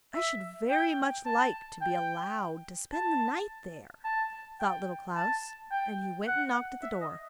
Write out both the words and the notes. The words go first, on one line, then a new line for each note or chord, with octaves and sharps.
'I should very much like to be allowed to spend the night there,' thought Little Klaus; and he went and knocked at the door.
E5
G5
A5
G5
A5
A5
G5
A5
G5
F#5
E5
D#5